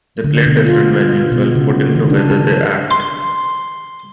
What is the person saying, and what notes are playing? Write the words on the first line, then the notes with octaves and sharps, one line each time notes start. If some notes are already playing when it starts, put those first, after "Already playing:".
They played different venues while putting together their act.
D3
B2
F4
B2
C#3
D#3
D4
C6